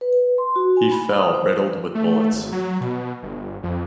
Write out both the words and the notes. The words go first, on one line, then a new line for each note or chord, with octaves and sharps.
He fell riddled with bullets.
B4
C6
F#4
G#5
B5
D#6
C5
A3
G#1
F#3
B2
G1
F2